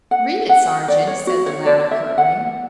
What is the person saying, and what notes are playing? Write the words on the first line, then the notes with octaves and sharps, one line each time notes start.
"Read it, sergeant," said the latter curtly.
F#5
F#5
D5
C#5
F#4
C#5
D5
E5
F#5